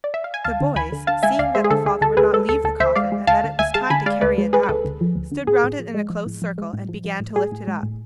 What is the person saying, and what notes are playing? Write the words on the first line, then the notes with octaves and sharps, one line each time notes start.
The boys, seeing that the father would not leave the coffin and that it was time to carry it out, stood round it in a close circle and began to lift it up.
D5
E5
F5
G#5
D2 F5 A5
D3
D2 G#5 B5
D3
D3 F5 A5
G#3 E5 G#5
D2 D5 F5
G#3 C5 E5
G#4
D3 A4
D2 G#4
D2 A4
D2 G#4 B4
G#3 A4
D2 A4
D2 A4
D2 C5 E5
G#3 D5 F5
G#3
D2 F5 A5
D3
D2 E5 G#5
G#3 F5 A5
D3 G#5 B5
G#3 D5 F5
D2 B4 D5
G#3
G#3 G#4 B4
B4
D2 A4
D2
F3
D2
D3
A2 G#4
A2
F3
G#3
F3
A2
F3
G#3
A2
F3
F3
A2
A2 G#4
A2
G#3
A2